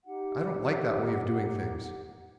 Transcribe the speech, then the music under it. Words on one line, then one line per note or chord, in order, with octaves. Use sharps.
I don't like that way of doing things.
D#4 G4 F#5